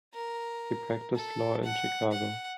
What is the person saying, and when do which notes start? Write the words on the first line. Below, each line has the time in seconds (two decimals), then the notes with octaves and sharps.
He practiced law in Chicago.
0.14 A#4
1.16 A4
1.64 F#5
2.12 F#5